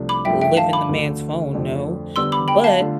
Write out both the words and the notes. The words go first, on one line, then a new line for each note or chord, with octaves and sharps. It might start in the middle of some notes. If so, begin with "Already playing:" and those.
live in the man's phone," no, but
Already playing: C2 C3 F3 A3 D4
B5 D6
G2 F3 A3 E5 G5
E5 G5
F5 A5
B5 D6
D2 D3 A3
F2 D3 A3
D3 G3 B3 C6 E6
B5 D6
G5 B5
F5 A5
D3 A3 D4 F4